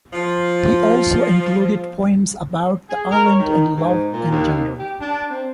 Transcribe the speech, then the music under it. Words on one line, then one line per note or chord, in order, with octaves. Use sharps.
He also included poems about the island and love in general.
F3 F4
G#4
A#4
C#5
D#3
G#2
A#2
D#2
G4
D4
C4